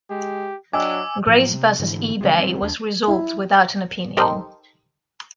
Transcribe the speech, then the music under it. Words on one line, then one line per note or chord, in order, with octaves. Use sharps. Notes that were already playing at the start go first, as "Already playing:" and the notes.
Grace versus eBay was resolved without an opinion.
G#3 G4
F#3 D4 D#5 G5 G#5 D6 E6
A2 F3 F#3
C3
G#2 D3 E3
C#3 G3 G#3
D#3 G3 C4
D#2 D4
E4
D#4 G4 A4 A#4 C5 D#5